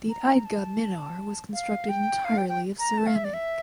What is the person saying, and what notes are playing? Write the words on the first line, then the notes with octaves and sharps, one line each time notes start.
The Eidgah Minar was constructed entirely of ceramic.
A#5
A5
F5
G5
F5
G5
G5
A#5
A5
F5
E5
D5
E5